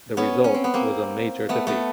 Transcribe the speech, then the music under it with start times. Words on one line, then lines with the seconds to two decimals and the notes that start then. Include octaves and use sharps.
The result was a major defeat.
0.17 B3 C#4
0.44 C#4
0.54 C4
0.64 B3
0.74 A#3 C4
1.49 A3 B3
1.67 A3 B3